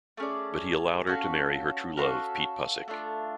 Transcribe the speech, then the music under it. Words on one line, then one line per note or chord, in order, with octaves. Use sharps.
But he allowed her to marry her true love Pete Pussick.
A3 C#4 G#4 D5
C#4 F#4 A4 F5
C#4 F#4 A4 F5
A3 D4 F4